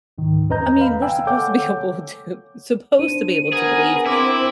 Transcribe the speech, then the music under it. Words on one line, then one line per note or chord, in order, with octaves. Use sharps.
I mean, we're supposed to be able to, supposed to be able to believe
C#2 G#2 D#3
E2 C#4 B4 D#5 A#5 G6
F5 B5
F5 G5 G#5 E6
A4 C#5 F#5 D6 G6
D4 C5 D#7
B3 G#4 A#4
C4 E4 D6